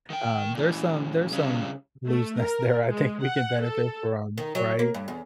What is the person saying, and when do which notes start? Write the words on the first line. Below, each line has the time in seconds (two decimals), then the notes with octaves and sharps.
um, there's some there's some looseness there I think we can benefit from, right?
0.10 D#3 G5
0.55 A#2 E3
1.32 C#3 G3
2.07 A3
2.39 A#4
2.87 G#3
3.23 F#5
3.62 A4
4.38 D#3
4.55 F#3
4.79 A#3
4.94 G2
5.08 E2